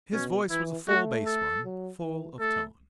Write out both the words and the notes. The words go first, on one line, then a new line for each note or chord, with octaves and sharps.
His voice was a full bass one, full of tone.
B2 C#4
E3 E4
A3 F#4
A4
F#3
E3
A3 A4